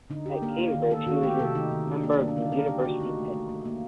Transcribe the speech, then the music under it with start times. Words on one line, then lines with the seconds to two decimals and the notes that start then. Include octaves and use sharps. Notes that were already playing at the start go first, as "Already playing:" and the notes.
At Cambridge, he was a member of the University Pitt Club.
0.10 D3 D#4
0.26 D3 G4
0.42 A#3 A#4
0.59 A#3
0.74 D#3
0.91 A#3 A4
1.06 D#3 F#4
1.23 A3 G4
1.39 C3 A4
1.55 D#3 D#4
1.72 D#3
1.88 D#3
2.04 A#3 D4
2.20 G3 A#3
2.28 D4
2.36 D3 D#4
2.52 D3 A#4
2.68 D3 G4
2.84 A#3 F#4
3.00 A3 D#4
3.17 A3
3.33 A3
3.49 A3
3.66 A#3